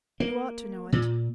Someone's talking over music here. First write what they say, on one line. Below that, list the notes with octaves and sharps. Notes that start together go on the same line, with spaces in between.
You ought to know it.
A#3
A#2